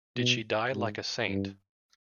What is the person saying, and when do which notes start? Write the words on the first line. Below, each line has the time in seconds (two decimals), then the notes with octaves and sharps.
Did she die like a saint?
0.17 B2
0.73 G#2
1.28 G2